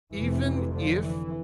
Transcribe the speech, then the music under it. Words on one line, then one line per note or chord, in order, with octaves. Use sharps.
even if
F1 F2 C3 E3
D3 F3
E3